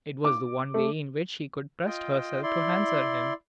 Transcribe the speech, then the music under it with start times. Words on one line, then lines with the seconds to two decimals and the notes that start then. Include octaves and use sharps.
It was the one way in which she could trust herself to answer him.
0.25 D6
0.74 A3
1.86 F4 D#5 G5
2.43 E4 D5 C6